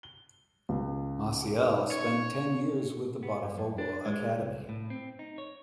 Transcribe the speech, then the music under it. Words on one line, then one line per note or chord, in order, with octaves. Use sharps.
Maciel spent ten years with the Botafogo academy.
G7
C#2
C#4 D#4
C#5
B3
G2
F#2
D4
G#3
C2
A2
C4
D#4
C#5